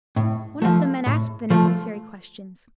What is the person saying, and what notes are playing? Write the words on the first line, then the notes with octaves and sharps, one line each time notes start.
One of the men asked the necessary questions.
A2
F3 A3
A2
F3 A3